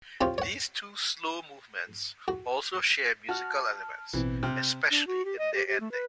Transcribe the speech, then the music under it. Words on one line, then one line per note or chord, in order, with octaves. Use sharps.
These two slow movements also share musical elements, especially in their ending.
C4 F4 G4 C#5
C#5 F#5
F#4
F#4 A5 F6
A1 B2 E3 C4
C3 F6 G6
D4
F#4
G4
D#5
G4
G4
A3
B4